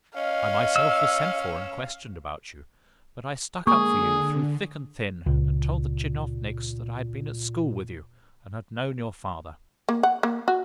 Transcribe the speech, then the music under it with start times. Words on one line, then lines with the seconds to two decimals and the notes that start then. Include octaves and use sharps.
I myself was sent for and questioned about you, but I stuck up for you through thick and thin, and told the tchinovniks that I had been at school with you, and had known your father.
0.16 C#4 D#5 F5
0.76 E6
3.67 D3 G#3 A#3 G#4 C#6
5.26 C#2 A#2
9.89 A#3
10.03 F#5
10.23 A#3
10.48 F#4